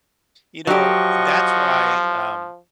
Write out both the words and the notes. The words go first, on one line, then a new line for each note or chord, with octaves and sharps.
you know, that's why, um,
F3 F#3 G4 D#5 F#5 C#6